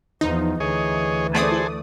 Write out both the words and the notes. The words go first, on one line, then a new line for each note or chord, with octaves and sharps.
I think
E2 F3 D#4
D2 E3 G#4 C#5 D#5
A3 G#4 A4 C5 D5 D#6